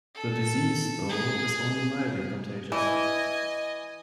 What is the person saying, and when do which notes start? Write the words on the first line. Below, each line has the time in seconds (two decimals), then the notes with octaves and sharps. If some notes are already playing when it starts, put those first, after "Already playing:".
The disease, though, is only mildly contagious.
0.15 A4
1.09 G#4
2.72 E3 D#5 G#5